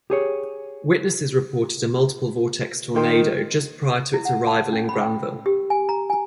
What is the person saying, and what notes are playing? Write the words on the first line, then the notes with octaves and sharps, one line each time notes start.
Witnesses reported a multiple vortex tornado just prior to its arrival in Granville.
G4 G#4 C#5
D#3 A#4 G5 C6
E4
F#5
A5
C#4
B5
G5
E6
G4
G#5
A#5
G#5